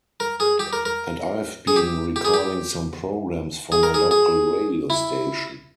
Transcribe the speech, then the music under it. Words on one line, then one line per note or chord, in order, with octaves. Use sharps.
And I have been recording some programmes for my local radio station.
A#4
G#4
G4
A#4
A#4
G#4
G4
G4
G#4
G4
G#4
A#4
G#4
G#4
E4